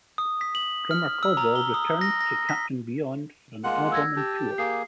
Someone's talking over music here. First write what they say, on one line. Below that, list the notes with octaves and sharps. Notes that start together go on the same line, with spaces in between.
Drummer Caldwell returned to Captain Beyond for an album and tour.
D#6
B6
F#7
F6
E6
A#5
G7
D#6
A#6
A#6
B6
G#3 A#3 F4 F#5
E6 G#6 A#6
G4 A5
A#3 G#4 C7